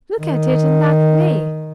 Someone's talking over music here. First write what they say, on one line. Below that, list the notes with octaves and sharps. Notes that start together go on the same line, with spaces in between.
Look at it in that way?
D#3